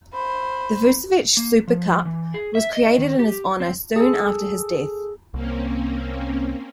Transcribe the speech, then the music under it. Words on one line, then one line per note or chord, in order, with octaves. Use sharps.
The "Vukcevich Super Cup" was created in his honor soon after his death.
C5 B5
A#3
F3
E3
G#4
E5
D#5
D#3
G4
C4
G#4 A4
C2 A#3 C4 C#4